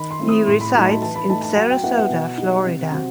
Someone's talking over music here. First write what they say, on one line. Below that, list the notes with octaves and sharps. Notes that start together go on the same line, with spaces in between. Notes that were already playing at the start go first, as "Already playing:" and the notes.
He resides in Sarasota, Florida.
Already playing: D#3 B5
C6
A3 C4 E4
D#6
A2 C6
B5
F#3 A3 D#4 B5
A5
E3 A5
B5
A3 D#4 A5
A5
F#3 F#5
G5
B3 E4 F#5
F#5
B2
G3 D#4
C3
F#3 C4